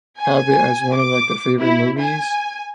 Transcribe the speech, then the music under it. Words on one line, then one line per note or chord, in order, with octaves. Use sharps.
have it as one of, like, their favorite movies,
G#5
D6
E4
G#5